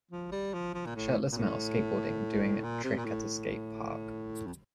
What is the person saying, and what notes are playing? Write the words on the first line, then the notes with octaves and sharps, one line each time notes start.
Shirtless male skateboarded doing trick at a skate park.
F3
G3
F3
F3
A#2
A2
A#2
A2
A#2
C3
A#2
A2
F2